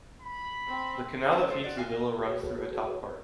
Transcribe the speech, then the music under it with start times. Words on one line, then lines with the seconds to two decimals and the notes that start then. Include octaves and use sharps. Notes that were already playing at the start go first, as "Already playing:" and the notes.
The canal that feeds the villa runs through the top part.
0.22 B5
0.68 C4
1.31 C#4 A5
1.50 A4 C5
1.64 F#4 D5
1.76 F4 F#4 F5 G#5
2.19 F#4 G#4 A4 B4 C#5